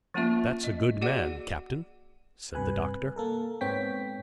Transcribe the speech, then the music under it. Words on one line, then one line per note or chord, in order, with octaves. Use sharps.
"That's a good man, captain," said the doctor.
F3 A3 A#3 C#4 F4 E5
D#5
F#4 G#4 D5 F#5
G2 C3 B4 G#5 F#6
A#3 A4 A#4
G#2 B3 C4 C#5 G5 B6